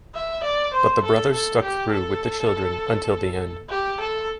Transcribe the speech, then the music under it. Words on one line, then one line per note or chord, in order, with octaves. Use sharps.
But the brothers stuck through with the children until the end.
E5
D5
C5
A4
A4
G4
A4
G4
A4